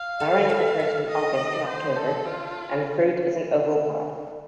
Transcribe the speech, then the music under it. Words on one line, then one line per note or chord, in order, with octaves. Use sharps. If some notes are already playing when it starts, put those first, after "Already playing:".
Flowering occurs from August to October and the fruit is an oval pod.
Already playing: F5
A4
A4
A4
D#5
C5
A4
F4